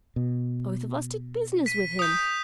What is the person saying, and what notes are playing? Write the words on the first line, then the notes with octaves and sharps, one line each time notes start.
Both of us did business with him.
B2
B6 D#7
D#6 G6